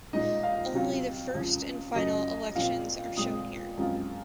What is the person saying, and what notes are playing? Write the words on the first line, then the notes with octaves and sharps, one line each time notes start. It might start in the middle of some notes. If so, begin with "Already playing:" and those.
Only the first and final elections are shown here.
A#2 G#3 D#4 D#5
F5
C3 F#3 C4 F4
C#2 C#3 F3
F#2 C#3 F#3 D#5
A#2 F3 C4 F4 F5
A#2 G#3 C4 D#6
F#2 F3 G#3 C4 F4